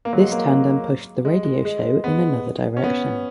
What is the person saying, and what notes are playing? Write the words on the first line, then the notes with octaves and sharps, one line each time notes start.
This tandem pushed the radio show in another direction.
A#3
F#3
G#3
A#3
G#3
G#3
G#3
B3
C#4
B3